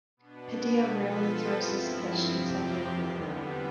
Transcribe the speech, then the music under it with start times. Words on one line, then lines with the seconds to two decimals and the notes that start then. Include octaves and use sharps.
Padilla rarely throws this pitch consecutively, though.
0.17 B2 B3 D4
0.85 F3 B3 F4 A4
1.53 G2 F3 C4 E4
2.21 F2 C3 F3 C4 G4
2.90 E2 D3 G3 B3